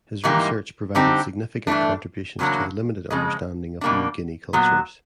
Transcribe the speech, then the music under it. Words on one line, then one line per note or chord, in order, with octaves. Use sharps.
His research provided significant contributions to the limited understanding of New Guinea cultures.
G#2 E3 G3 A#3 D#4
D3 G3 C4 D#4
G2 E3 A3 D4
E2 C#3 F#3 A#3 D4
F2 C#3 G#3
B2 G3 A#3 D4
A#2 F#3 B3